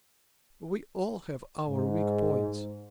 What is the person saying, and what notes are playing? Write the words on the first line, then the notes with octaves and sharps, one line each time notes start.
We all have our weak points.
G#2